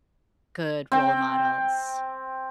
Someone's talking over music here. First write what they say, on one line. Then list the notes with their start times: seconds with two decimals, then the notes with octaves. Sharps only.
good role models.
0.92 C4 G5